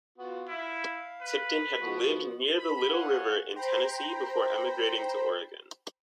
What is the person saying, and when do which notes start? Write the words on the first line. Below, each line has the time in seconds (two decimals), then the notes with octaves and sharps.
Tipton had lived near the Little River in Tennessee before emigrating to Oregon.
0.18 B3 F4 F#4
0.48 E4 F5
1.21 B4
1.81 F3 B3 F#4
2.57 B5
2.88 C#5 F5 F#5 G#5
3.55 C5 G5 A#5 B5